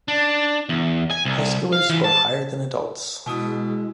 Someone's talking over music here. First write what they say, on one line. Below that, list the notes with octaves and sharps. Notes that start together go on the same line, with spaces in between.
High schoolers score higher than adults.
D4
E2
G#5
C2
F5
E3
A5
B2 G#3 E4 F#4 D#6